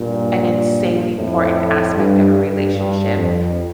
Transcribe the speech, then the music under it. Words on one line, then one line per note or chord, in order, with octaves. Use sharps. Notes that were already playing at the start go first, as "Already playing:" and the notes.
an insanely important aspect of a relationship
Already playing: G2 A#2
F2 A2
G2
G2
G2
F2